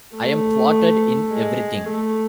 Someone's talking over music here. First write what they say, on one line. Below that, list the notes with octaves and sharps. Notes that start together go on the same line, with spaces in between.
I am thwarted in everything.
A3
G#3
A3